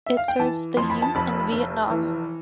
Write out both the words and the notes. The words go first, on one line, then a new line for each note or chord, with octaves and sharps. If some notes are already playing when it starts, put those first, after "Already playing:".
It serves the youth in Vietnam.
E5
F5
G5
E3 A5
F2 C6
B5
A5
F1 B5
F1
E3